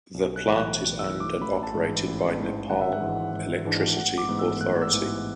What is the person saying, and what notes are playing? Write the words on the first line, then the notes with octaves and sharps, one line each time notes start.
The plant is owned and operated by Nepal Electricity Authority.
B1
F#6
A2 E3
F#6
B1
E6
A2 E3
D6
A1 B5
A5
G#2 E3
A1
G#2 E3
G#1 F#5
E5
F#5
G#2 E3 G#3 D4
G#1
G#2 E3 G#3 D4
A1 F#5
D6
G#2 E3 B3
E6
A1 F#6
E6
G#2 E3 B3